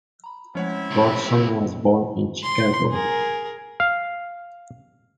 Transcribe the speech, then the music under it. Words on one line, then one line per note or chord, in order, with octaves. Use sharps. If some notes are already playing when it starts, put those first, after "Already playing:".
Corson was born in Chicago.
A#5 B5
F3 G#3 A3 C4 C#4 E4 C#5 F#5
C3 E3
C6
G#4 A#4
F5